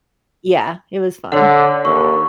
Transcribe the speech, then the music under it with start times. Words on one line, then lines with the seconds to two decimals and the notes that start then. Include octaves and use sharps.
yeah, it was fun.
1.32 D3 C#5 F#5
1.85 D#2 C#6